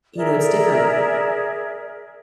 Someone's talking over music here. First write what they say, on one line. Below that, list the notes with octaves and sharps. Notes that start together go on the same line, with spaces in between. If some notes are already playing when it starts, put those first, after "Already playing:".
you know, it's different
G#4 A#4 D5 E5